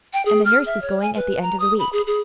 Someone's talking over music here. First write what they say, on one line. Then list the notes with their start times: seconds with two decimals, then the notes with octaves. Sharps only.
And the nurse was going at the end of the week.
0.13 G5
0.25 G#4
0.45 F6
0.66 E5
0.82 C#5
1.01 G#5
1.16 B4
1.42 A#5
1.60 D#6
1.79 B5
1.93 G#4
2.07 G#4